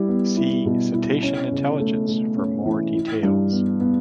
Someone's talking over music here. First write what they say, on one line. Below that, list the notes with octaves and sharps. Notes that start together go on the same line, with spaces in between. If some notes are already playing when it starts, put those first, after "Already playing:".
See cetacean intelligence for more details.
Already playing: G3 E4
B3
E4
B2
E4
C#4
C#3
A3
A3
C#4
E3
E4
G2
B3
B3